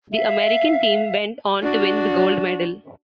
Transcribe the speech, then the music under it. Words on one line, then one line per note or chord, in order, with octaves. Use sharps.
The American team went on to win the gold medal.
E5 F5
D4 F#4